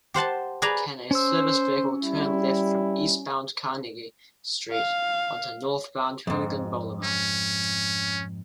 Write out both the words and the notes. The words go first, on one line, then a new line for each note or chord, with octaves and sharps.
Can a service vehicle turn left from eastbound Carnegie Street onto northbound Hooligan Boulevard?
G4 C5 F#5 A5
G#4 B4 D5 G#5 A#5
C#4 C5 E6
G3 E4
F5
F2 G#2
C#4